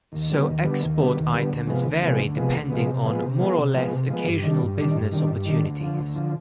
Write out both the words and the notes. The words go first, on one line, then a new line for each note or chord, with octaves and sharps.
So export items vary depending on more or less occasional business opportunities.
D#2
D3 G3 B3
D#2
D3 G3 B3
D#2
D3 G3 B3
D#2
D3 G3 B3
D2
C3 F3 G#3 B3
D2
C3 F3 G#3 B3
D2
C3 F3 G#3 B3
D2
C3 F3 G#3 B3
C3
F3 G#3 B3
C3
F3 G#3 B3
C3
F3 G#3 B3
C3
F3 G#3 B3
G2
D#3 G3 D4
G2
D#3 G3 D4
G2
D#3 G3 D4
G2
D#3 G3 D4
D2
D3 F3
D2
D3 F3